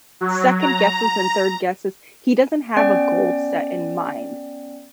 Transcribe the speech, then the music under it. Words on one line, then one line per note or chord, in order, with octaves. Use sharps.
second-guesses and third-guesses. He doesn't have a goal set in mind,
F#3
A#5
B3 C#4 D5 G5